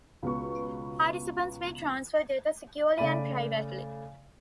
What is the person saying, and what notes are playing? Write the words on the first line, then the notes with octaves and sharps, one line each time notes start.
Participants may transfer data securely and privately.
C#2 B2 B3 B4 C#6
C#3 A3 D5 B5 D#7